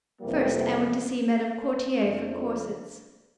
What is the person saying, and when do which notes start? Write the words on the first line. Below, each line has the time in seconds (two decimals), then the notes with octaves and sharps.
First I went to see Madam Courtier for corsets.
0.21 F2 C3 E3 G3 A#3
1.98 F2 C#3 F3 A3 D4